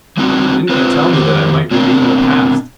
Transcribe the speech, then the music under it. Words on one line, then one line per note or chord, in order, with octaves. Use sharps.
Didn't ye tell me that I might redeem the past?
G3 C4 D4 D#4 F#4
C4 F4 A4 B4 C5
F2 D#3 G4 C5
B2 A#3 C4 D4